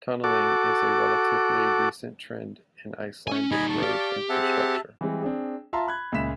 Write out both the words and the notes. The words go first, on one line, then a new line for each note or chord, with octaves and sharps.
Tunneling is a relatively recent trend in Icelandic road infrastructure.
F#4 A4 D6
C#4 G#5
G3 D#4 D#5 G#5 B5
A5 C#6
G4 D5 F5
C4 G#4 E5 F#5 A5
E3 G3 G#3 C4
C4 D4 G#4
F4 E5 F5 A5 A#5 C6
B5 F#6 G#6
C#2 A#2 E5 B5 B6 E7